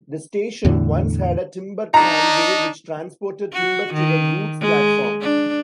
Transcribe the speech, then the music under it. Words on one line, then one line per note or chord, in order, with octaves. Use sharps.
The station once had a timber tramway which transported timber to the Goods Platform.
E2 A2 D3
D4 D#4 A#5
F#4
D#3
G#3
D4